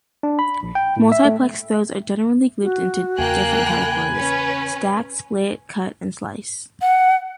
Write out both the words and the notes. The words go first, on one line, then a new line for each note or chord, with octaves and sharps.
Multiplex throws are generally grouped into different categories: Stack, Split, Cut, and Slice.
D4
B5
A#1
G5
A2
E5
A3
F#4
E2 C#3 A#3 G5 G#5 F#6
B5
C#4 B4
F#5